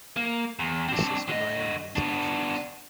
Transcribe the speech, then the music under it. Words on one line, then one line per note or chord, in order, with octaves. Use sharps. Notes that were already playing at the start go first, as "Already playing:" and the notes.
His sister Naomi is an athlete.
A#3
E2
C4 D4
D3 D#5
B3 D4